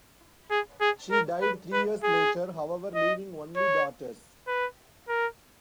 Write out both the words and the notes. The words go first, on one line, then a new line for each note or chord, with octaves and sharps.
She died three years later, however, leaving only daughters.
G#4
G#4
A#4
B4
B4
G#4
D#5
C#5
B4
A#4